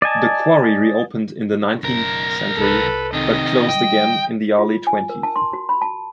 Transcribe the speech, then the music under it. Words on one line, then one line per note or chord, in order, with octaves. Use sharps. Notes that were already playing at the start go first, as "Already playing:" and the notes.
The quarry reopened in the nineteenth century but closed again in the early twentieth.
D5 D#5 G#5 A5
F#1 B1 A#4
C2 A4 B4
C3 D#3 D#5
D#3 G3 G5
F4
G#5
A#4
A5
C6
F#4
B5
A5